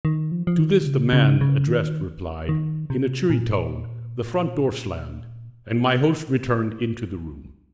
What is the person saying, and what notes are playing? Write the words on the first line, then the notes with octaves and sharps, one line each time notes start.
To this the man addressed replied in a cheery tone, the front door slammed, and my host returned into the room.
D#3
F3
F3
D#3
C#3
C#3
C#3
D#3
D#3
C3
A#2